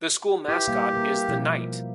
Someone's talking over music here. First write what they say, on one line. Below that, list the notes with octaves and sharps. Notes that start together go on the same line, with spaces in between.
The school mascot is the knight.
E4 G4 B4
G3 A#3 F5
A#3 A#4
B2 F3 E4